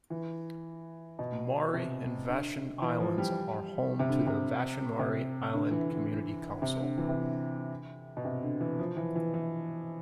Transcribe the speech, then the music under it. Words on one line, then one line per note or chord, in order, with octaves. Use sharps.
Maury and Vashon Islands are home to the "Vashon-Maury Island Community Council".
E3
B2
C3
D3
E3
F3
G3
C3
D3
C3
C3
D3
E3
D3
C3
D3
E3
C3
D3
B2
C3
D3
E3
F3
E3
E3
E3